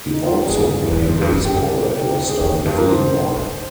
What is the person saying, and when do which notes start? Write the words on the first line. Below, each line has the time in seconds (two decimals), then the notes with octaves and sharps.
He also played baseball at Western Illinois.
0.14 D#4
0.26 F4
0.38 G4
0.49 G2 G#4
0.92 G#2
0.97 G2
1.09 F2
1.21 G2
1.33 G2
1.45 G4
2.29 G#4
2.41 F2 G4
2.65 G2
2.78 A#4
2.89 C5
3.37 F2